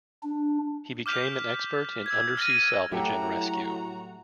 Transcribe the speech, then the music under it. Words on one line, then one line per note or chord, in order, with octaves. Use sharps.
He became an expert in undersea salvage and rescue.
D4
D6 F6 G6 B6 F7
E6 G#6
F6 A6 A#6 D#7
A2 F#3 E4 F#4 G4 A4 A#5